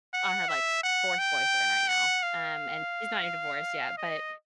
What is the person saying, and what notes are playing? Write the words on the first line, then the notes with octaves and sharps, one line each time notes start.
on her, like, f fourth boyfriend right now, um, and she's not even divorced yet, but
F#5
E5
F#5
G5
F#5
F5
D#5